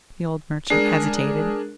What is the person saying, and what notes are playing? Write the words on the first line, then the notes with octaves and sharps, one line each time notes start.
The old merchant hesitated.
G#3 D4 G#4 A#4